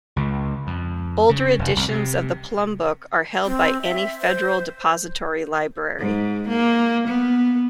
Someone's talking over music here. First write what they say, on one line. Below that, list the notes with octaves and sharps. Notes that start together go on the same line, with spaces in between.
Older editions of the Plum Book are held by any Federal depository library.
C#2
F2
C#3
F1
C2
C3
C4
E5
C5
G#2
A#3
B3